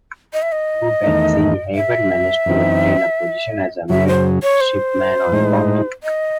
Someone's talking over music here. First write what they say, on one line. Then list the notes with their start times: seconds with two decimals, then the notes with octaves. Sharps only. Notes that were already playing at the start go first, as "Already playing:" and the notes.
Through Betsy, Hayward managed to obtain a position as a midshipman on the "Bounty".
0.33 D#5
0.42 E5
0.52 D#5
1.04 E2 D#3 A3 D#4
1.75 E5
2.46 F#2 E3 C4 D#4
3.89 F#2 C#3 F#3 E5
4.08 C5
4.43 C#5
4.61 C5
5.32 A2 G#3 D#4
6.03 D#5